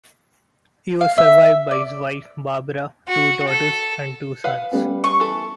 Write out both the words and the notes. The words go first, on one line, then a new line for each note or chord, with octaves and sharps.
He was survived by his wife Barbara, two daughters, and two sons.
F5
E5
D5
F#4
A4
B4 F5 F#5
G3 B3 C#4
C#6
E3 A4